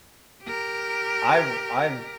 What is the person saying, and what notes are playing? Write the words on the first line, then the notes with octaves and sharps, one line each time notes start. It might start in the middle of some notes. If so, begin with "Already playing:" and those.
I ru I've
G4 A#4